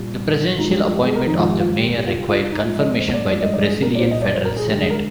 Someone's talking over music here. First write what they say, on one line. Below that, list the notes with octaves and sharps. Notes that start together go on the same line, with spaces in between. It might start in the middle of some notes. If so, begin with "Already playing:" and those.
The presidential appointment of the mayor required confirmation by the Brazilian Federal Senate.
Already playing: C2 A#2 G3
G2 F3 G#3 D#4
G4
G4
G4
G#4
A#4
F2 D#3 G#3 D#4
F4
G4
F4
G4
C2 C3 G3
F4
G4
F4
D#4
G#2 F3 G#3 F4
D#5
C5
D5
G2 F3 G#3 D5
D#5
D5
G#4
A#4
D5
C2 A#2 G3 C5
D#5
D5
C5
A#4
G#4
D2 D3 G#3 G4
G#4
A#4